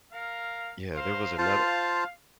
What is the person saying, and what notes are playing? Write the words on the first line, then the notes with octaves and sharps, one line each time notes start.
yeah, there was another
A#4 F5
A#4 C5 F5
F4 C5 F5 A5